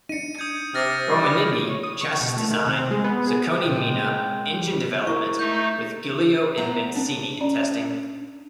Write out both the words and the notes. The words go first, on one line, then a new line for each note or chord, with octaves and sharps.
Romanini, chassis design, Zaccone Mina, engine development, with Gilio and Bencini in testing.
D4 D#4 C#7 D#7
D#6 G6 G#6
C3 F6 A6 A#6
G3
C#5
D#6
C#6
B2
A3
D#3
C3
C4
G#3
B3
G#4
A#2 C#3 G#3 C4 G5
E4 A#4 C#6
A3 D#4 G6
G6
B3 C5 E5 A#5
C4 D4
C#4 D5 A#5